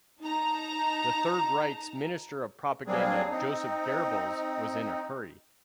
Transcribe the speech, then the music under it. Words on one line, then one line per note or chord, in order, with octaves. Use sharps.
The Third Reich's Minister of Propaganda Joseph Goebbels was in a hurry.
D#4 A5 A#5
F#3 G3 A#3 C4 D4 G#4
C4 D#4